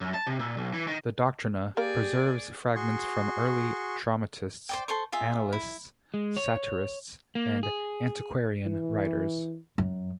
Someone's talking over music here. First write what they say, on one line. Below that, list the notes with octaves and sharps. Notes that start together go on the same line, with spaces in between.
The "Doctrina" preserves fragments from early dramatists, annalists, satirists, and antiquarian writers.
F#2
A5
C3
A#2
B1
E3
D#3
A#3 G4 G#4 A#4 D5
F#4 G#4 C6 C#6
C5 D5 G5
A4 C5 C6 C#6
F4 G#4 E5
E4
G#3
C#5
A#3
G#4
E3
F#2